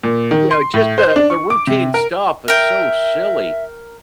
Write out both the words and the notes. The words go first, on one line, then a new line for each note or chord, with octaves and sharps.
you know, just the the routine stuff, it's so silly.
A#2
D#3
C6
A2
C5
D4
C#6
D6
C3
A#4
A#4 E5 G5